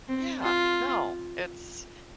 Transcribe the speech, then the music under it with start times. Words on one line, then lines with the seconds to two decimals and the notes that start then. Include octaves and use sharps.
Yeah. No, it's
0.08 C4
0.42 F4